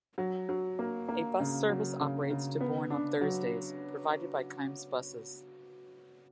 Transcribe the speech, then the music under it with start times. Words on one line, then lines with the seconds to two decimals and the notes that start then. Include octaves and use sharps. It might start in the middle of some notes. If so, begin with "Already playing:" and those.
A bus service operates to Bourne on Thursdays, provided by Kimes Buses.
0.18 F#3
0.49 F#3
0.79 A#3
1.08 A#3
1.40 C#3
1.69 F#3
2.00 C#3
2.30 C#3
2.61 B3
2.90 D4
3.21 F#3